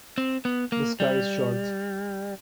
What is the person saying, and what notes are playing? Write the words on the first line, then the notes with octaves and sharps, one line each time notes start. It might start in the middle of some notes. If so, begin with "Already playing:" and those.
The scar is short.
C4
B3
A#3
G3